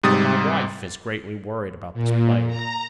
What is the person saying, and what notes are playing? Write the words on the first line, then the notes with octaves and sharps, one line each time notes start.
But my wife is greatly worried about this plague.
G#2 C3 G3 D#6 A6
A#2
A#5